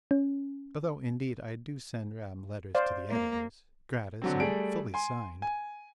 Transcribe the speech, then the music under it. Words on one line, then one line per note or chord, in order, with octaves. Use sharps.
Though indeed I do send round letters to the editors gratis and fully signed.
C#4
C5 D5 F5
A#3
D3 F#3 C4
G3 A3 G#4 D7
G#5 C6
G#5